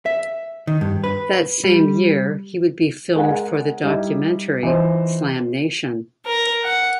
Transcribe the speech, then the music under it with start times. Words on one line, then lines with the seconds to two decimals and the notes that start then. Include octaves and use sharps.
That same year, he would be filmed for the documentary "SlamNation".
0.06 E5
0.67 D#3
0.81 G2
1.04 B4
1.64 G3
3.16 G#3 A#4 F#5 G#5
3.83 G3 D#4 E4 G4
4.63 E3 D#4 F4 C5
6.26 A#4
6.63 F#5